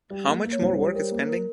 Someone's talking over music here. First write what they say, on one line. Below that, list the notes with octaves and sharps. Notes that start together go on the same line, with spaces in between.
How much more work is pending?
G3
A#3
A#3
C#5
C2 C5
G3
G3 A#4
A#3
A#4